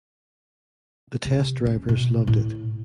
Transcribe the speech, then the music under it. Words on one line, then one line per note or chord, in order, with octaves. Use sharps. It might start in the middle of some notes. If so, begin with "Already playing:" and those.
The test drivers loved it.
C3
C#4
B2
A2